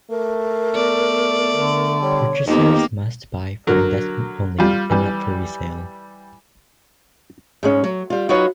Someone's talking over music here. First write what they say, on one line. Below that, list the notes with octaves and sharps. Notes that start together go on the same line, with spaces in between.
Purchasers must buy for investment only, and not for resale.
A3 A#4
B3 D5
D3
G3 C#5
F2 A#3 B3 D#4 G4
D3 F#3 A#4
G3 F4
E3 G3
G#2 G#3 C#4
F#3
G3 F4
F#3 D#4 F4 F#4 B4 C#5